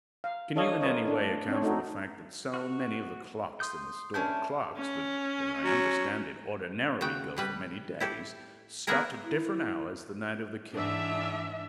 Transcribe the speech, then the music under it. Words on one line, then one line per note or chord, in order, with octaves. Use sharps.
Can you, in any way, account for the fact that so many of the clocks in the store--clocks that, as I understand it, ordinarily go for many days--stopped at different hours the night of the killing?
F5
D4 A4 C#5 D#5 F5
F4 A#4 B4 C#5 D#5
A3 D4
C4 D4 C#5
A3 D#4 F#4
F#4 F6
C6 D#6 G6
C#4 D4 E4 G6
C#4
F#3
C#3 F#4 G5
A2 G3 B4
E4 G4 A4
A#3 B3 E4 G#4 A#4
E4
G#2 E3 D4 E5